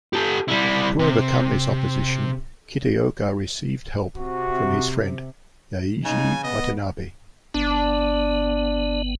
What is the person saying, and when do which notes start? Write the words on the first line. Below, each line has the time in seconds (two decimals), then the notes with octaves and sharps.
To overcome this opposition, Kitaoka received help from his friend, Yaeji Watanabe.
0.13 G4 A4
0.48 G3 E4
0.99 C3
4.17 C3 F#4
6.05 C#3 D#4 G#5
6.43 B3 D#5
7.54 G1 B3 D4